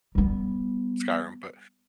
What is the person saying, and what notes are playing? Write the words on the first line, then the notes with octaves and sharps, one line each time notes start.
Skyrim, but,
G3 B3